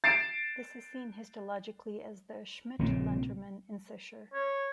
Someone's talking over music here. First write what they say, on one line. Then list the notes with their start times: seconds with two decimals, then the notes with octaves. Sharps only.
This is seen histologically as the Schmidt-Lantermann incisure.
0.04 A6 C7 D7 E7
2.79 A#1 A#2 C#3 C4
4.34 C#5